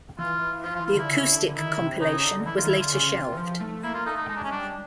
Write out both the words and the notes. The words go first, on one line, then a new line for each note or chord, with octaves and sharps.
The acoustic compilation was later shelved.
E3 F4
F3 F4
F4
E3
F4
D3 E4
C#3
D3
D3
D#3 E4
C3
C#3 D#4
D3
E3 E4
F4
D#3
E4
D3 F4
C#3 F4
C3
E3
F3
A3
A#3 E4
F4
A3 D#4
D#4
G#3 D#4
D4
C#4
G3 D4